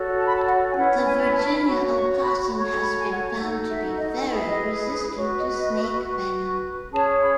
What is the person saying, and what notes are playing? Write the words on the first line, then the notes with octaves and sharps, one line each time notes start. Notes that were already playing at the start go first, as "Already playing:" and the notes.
The Virginia opossum has been found to be very resistant to snake venom.
Already playing: F#4 A4 C#5
A5
B5
A5
F#5
G#5
C#4 E4 B4 F#5
G#5
A5
F#4 C#5 B5
C#6
C#6
B5
B5
F#4 A4 C#5 C#6
B5
G#5
F#5
D#4 F#4 A4 F#5
E5
D#5
E4 G#4 B4 D#5
E5
D#5
F#4 B4 C#5
D#5
D#5
D#5
E5
F#4 B4
C#4 G#4 C#5 A5
B5